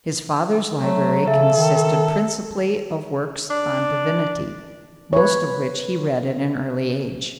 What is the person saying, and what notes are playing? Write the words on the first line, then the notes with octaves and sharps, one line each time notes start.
His father's library consisted principally of works on divinity, most of which he read at an early age.
F#3 A3
C#3 A4 E5
D#3
D4
B4 C#5